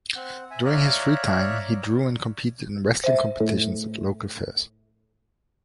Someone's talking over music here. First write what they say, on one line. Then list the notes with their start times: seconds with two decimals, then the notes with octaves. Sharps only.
During his free time he drew and competed in wrestling competitions at local fairs.
0.15 C4 F#5
0.51 E5 G#5
0.65 C#5 D5 E5 F5 A#5 F#6
3.04 C5 E5
3.40 A2